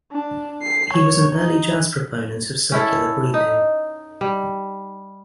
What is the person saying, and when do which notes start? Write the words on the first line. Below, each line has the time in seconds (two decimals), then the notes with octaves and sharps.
He was an early jazz proponent of circular breathing.
0.12 D4
0.62 C7
0.94 C#5
1.35 D#4
2.72 C#4 E4 A4
3.34 D#4
4.21 G3